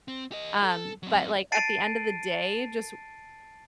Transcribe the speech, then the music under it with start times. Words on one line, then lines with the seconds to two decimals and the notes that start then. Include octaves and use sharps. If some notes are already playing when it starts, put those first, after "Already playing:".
Um, but, like, at the end of the day, just,
0.08 C4
0.32 G4 D#5
0.63 A4
1.03 F#3 C4
1.52 A5 A6 C7 D7 D#7